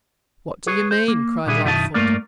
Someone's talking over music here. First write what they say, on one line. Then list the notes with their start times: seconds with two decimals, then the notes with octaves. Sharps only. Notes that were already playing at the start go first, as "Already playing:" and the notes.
"What do you mean?" cried Lightfoot.
0.67 G#4 B4 C#5
0.91 C5
1.08 A#3
1.46 A#2 D3 G3 E4 G#4
1.64 B1 F#2 D#3 E4 D#5 A5
1.94 G2 A3 A#3 A#4 D5